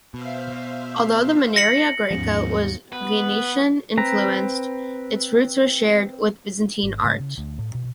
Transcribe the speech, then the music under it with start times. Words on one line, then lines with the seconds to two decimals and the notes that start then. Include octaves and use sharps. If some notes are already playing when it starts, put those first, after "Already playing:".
Although the maniera greca was Venetian influenced its roots are shared with Byzantine art.
0.14 B2 C5 E5 F5
1.56 A#6 C#7 F#7
2.11 D#2 G#2 F3 B3 C#4
2.93 B3 B4
3.98 C4 B4 A#5
6.83 G#1
7.03 G#2 C#3 F#3 A3
7.20 C#3
7.38 D2
7.58 A2
7.75 B2